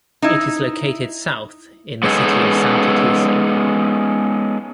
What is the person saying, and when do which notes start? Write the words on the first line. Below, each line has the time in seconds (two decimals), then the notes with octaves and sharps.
It is located south in the city of Santo Tirso.
0.22 D#4 E4
2.03 G#3 B3 C#4 D#4 G#4 A4